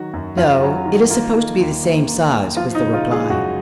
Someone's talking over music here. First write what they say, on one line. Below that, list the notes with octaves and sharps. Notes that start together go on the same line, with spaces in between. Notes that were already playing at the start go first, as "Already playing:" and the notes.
"No; it is supposed to be the same size," was the reply.
Already playing: D#3 F#3 F#4
F#2
F#2 F4
F#3
D#3
A#3 F4
D#3
D#2
D#2
A#3
D#3
F3 F4
D#4
C#3
F4
G#3
G#4
F#2 F#4